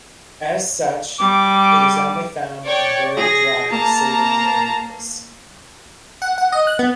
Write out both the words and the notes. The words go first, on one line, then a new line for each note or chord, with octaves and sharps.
As such, it is only found in very dry saline areas.
G3 D6
C#5 D5 G5
G#4 A#6
A#3 A5 A#5
F#5
F#5
D#5
F#6
B3